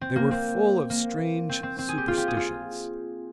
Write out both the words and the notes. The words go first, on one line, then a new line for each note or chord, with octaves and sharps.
They were full of strange superstitions.
C4
A#3
C4
A#3
C4
C4
C4
G#4
G4
F4
G4
G#4
F4